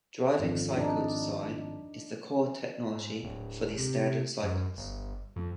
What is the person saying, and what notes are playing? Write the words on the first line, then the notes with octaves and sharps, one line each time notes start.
Driving cycle design is the core technology for these standard cycles.
G#1 F2
D4 D#4
G#2
D1
C3
F#2
G1
F2